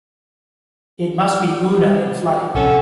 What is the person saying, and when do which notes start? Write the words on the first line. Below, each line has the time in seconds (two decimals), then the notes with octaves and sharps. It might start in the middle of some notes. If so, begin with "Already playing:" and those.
It must be Oona in flight.
2.55 A#1 C3 C#4 A4 F#5